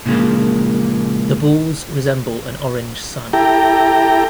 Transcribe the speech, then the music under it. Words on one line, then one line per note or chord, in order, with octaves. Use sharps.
The balls resemble an orange sun.
A#2 C#3 F3 G#3 A#3
E4 G4 A4 G5 A#5